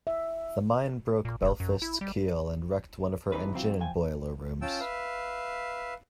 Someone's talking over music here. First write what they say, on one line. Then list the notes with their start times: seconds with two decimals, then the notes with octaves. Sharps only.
The mine broke "Belfast"s keel, and wrecked one of her engine and boiler rooms.
0.07 E5
1.25 A#2
1.42 E1
1.60 F#2
1.82 E4
2.01 G3
3.32 G2 E3 C4 D#4 G#4 B4
3.53 C3 E3 F#3 C4 F4 F#4
3.80 C2 F3 G5 G#5
4.62 C#4 F4 G5 A5 E6
4.80 B4 E5 F5